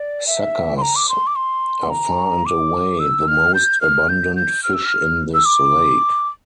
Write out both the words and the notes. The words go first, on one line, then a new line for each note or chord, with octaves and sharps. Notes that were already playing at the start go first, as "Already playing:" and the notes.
Suckers are far and away the most abundant fish in this lake.
Already playing: D5
E5
C6
A#5
D6
C6
D6
C6
A#5
D6
E6
F6
G6
F6
G6
G6
F6
E6
F6
E6
D6